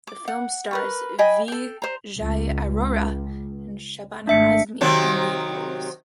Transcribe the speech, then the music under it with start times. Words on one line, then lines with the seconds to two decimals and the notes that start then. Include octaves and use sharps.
The film stars Vijay Arora and Shabana Azmi in lead roles.
0.07 D6
0.28 F#5
0.71 A#4 B4 C#6
1.18 D#5 G5 G#5 B5
1.48 A4 G5
1.82 C5 A#5
2.19 C#2
4.27 G#1 A3 D4 E5 C#7
4.81 C3 D#3 F#3